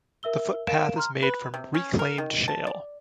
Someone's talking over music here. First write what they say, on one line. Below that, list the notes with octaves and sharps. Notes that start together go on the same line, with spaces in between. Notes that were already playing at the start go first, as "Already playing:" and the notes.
The footpath is made from reclaimed shale.
A#4 E5 E6 G7
A#4 F5 D7 E7
A#5 C6 F6
B4
C3
C#4
A#4
D#3
A5
D5